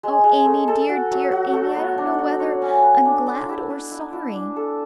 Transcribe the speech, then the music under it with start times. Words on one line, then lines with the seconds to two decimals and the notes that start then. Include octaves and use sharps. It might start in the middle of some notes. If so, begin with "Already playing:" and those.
'O Amy! dear, dear Amy; I don't know whether I am glad or sorry!'
0.03 G#3
0.24 G#3
0.45 A3
0.68 A4
0.89 F#4
1.11 F#3
1.32 F#4
1.53 A3
1.76 B3
1.98 D4
2.18 F#4
2.40 C#5
2.62 C#4
2.83 B4
3.05 D4
3.26 D4
3.49 E4
3.70 B4
3.91 E4
4.13 E4
4.34 D4
4.56 A4